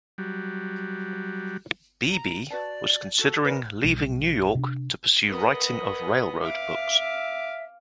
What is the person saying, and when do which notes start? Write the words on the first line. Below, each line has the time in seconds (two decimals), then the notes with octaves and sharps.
Beebe was considering leaving New York to pursue writing of railroad books.
0.18 F#3 G3
2.11 A#5
2.50 F#4 B4 D5 A5
3.19 F#4 A4
3.45 A#4 B4 D5 B5
3.84 B1 B2 G3
4.55 C3 C#4 D4
5.28 B3 A#4 D#5
6.43 E5 F5 D6